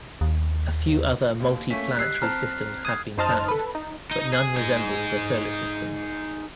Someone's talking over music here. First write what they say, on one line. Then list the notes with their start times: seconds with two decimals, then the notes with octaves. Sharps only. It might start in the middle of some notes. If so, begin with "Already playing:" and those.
A few other multiplanetary systems have been found, but none resemble the Solar System.
0.21 D#2
1.40 D#2
1.71 A3 A#3 C#4 B6
1.97 G3 D#5 E6 F#6 C7
2.22 C4 A5 A#5 F6
2.85 D#6 G#6 C7 D#7
3.17 F#2 D#4 C5 D#5 A5 F6
3.48 A4 B4
3.75 D#4
4.11 D#4 D#5
4.33 G#4
4.56 D#4 G#4